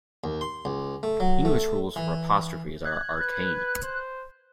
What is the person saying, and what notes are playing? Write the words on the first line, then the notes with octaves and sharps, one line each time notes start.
English rules for apostrophes are arcane.
D#2
C6
C#2
A3
F#3
A3
E3
F#6 G#6
B4
C5